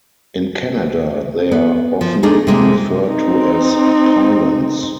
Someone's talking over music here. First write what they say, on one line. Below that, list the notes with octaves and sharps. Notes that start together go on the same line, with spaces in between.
In Canada they are often referred to as pylons.
B3
F3
A3 D4 D#4 G#4
C3 G#3 A#3
C4 D#4